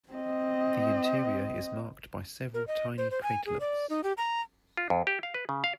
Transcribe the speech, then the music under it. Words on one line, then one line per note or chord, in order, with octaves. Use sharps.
The interior is marked by several tiny craterlets.
C4 D#5
A#4
D#5
C5
C5
G#5
G#4
D5
D#4
G4
A#5
F4
F2
G4
F5
B4
C#3
F5